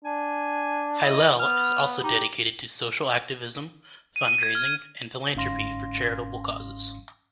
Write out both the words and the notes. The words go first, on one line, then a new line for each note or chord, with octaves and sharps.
Hillel is also dedicated to social activism, fundraising, and philanthropy for charitable causes.
D4 G#5
E4 D#5
B3 F6
D#4 G4
D#7
D#7
G#6
F6
G1 G#2 C#4 F5 C6 A#6